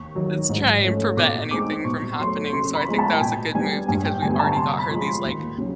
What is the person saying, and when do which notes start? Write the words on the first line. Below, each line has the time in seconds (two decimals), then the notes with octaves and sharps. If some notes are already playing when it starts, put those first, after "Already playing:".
let's try and prevent anything from happening." So, I think that was a good move because we already got her these, like,
Already playing: D#2 C#6
0.15 D#3 F#3
0.49 G#2
0.83 F3 A3 C#4
1.17 B2 D6
1.51 G#3 C4 D#4 D6
1.85 B2 C#6
2.19 F#3 A3 C6
2.53 C#3 C6
2.75 B5
2.87 F3 G#3 B3
2.98 A5
3.12 G5
3.21 B2 G#5
3.55 G3 B3 D4 G#5
3.88 G2 G#5
4.05 G5
4.22 D3 G3 B3 D4 G#5
4.39 A5
4.56 C3 C6
4.79 B5
4.91 F3 G#3
5.02 C6
5.24 D#2
5.58 C#3 F#3